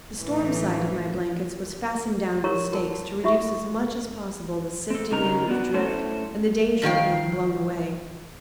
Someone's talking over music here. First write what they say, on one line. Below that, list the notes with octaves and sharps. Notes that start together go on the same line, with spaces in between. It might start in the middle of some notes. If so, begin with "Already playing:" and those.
The storm side of my blankets was fastened down with stakes to reduce as much as possible the sifting-in of drift and the danger of being blown away.
A2 D3 E3 C#4
E4 G4 A#4 C#5 A#5 C6
F#4 A#4 A5
E4 F#4 E5 C#6 D#6
C4 A4
G2 C#3 D#4 A#4 A#5
B3 D4 F#4
A3 C#4 E4 A4 C5
G2 D#3 F5 G5